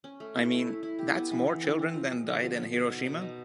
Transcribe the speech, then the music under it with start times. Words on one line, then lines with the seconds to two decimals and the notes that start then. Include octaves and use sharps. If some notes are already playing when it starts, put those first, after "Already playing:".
I mean, that's more children than died in Hiroshima.
0.04 C#4
0.20 A3
0.35 E4
0.51 A3
0.67 E4
0.83 E4
0.99 G4
1.15 B3
1.31 E3
1.47 E3
1.62 C4
1.79 C4
1.94 F3
2.10 G#3
2.27 D3
2.42 F3
2.58 B3
2.73 B2
2.90 D#4
3.05 B2
3.21 D#4